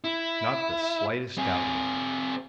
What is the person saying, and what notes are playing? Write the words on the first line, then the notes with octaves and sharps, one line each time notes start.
"Not the slightest doubt of it."
E4
C4 G#4